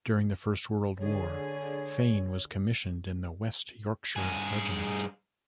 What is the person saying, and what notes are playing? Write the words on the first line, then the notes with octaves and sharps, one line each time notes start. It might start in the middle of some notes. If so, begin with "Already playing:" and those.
During the First World War Fane was commissioned in the West Yorkshire Regiment.
D3 G#4 C#5
G2 G#4